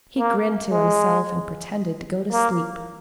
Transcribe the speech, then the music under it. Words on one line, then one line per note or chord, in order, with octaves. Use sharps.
He grinned to himself and pretended to go to sleep.
A#3
G#3
A#3